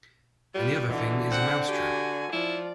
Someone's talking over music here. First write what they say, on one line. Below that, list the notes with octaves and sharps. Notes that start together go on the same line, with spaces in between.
And the other thing is a mouse-trap.
G3 F4 B4
B2 D3 E3
C4 F#5
F#4 G4 G#5
F3 E4 D5